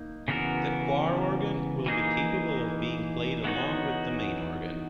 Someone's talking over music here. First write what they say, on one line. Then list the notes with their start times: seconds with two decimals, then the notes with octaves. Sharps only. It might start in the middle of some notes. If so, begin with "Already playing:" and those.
The choir organ will be capable of being played along with the main organ.
Already playing: A#3 D#4
0.28 C#3 E3 B3 F#4 A#4
1.86 E3 A#3 D#4 G#4
3.44 E3 B3 D#4 F#4 C#5